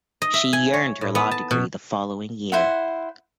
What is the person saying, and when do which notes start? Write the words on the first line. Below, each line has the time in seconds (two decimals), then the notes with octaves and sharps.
She earned her law degree the following year.
0.22 D#5
0.34 E5
0.53 G#5
0.73 C#5
1.01 A2
1.15 B3
1.31 A5
1.51 B2
2.52 E4 C5 F#5